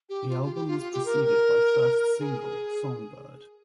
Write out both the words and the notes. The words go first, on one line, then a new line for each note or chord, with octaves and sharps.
The album was preceded by first single "Songbird".
G4
F4
F4
G4
F4
F4
G4
A#4
A#4
G#4